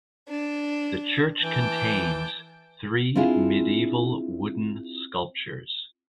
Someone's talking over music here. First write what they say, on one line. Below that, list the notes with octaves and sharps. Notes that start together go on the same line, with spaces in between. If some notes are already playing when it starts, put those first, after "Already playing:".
The church contains three medieval wooden sculptures.
D4
E3 G5 A5 D6
C4 D4 E4 F4 G#4